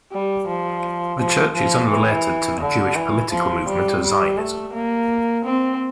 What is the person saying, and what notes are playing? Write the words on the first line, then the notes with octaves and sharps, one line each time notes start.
The church is unrelated to the Jewish political movement of Zionism.
G3
F3
F3
F3
E3
D3
E3
F3
G3
G3
A3
A#3
C4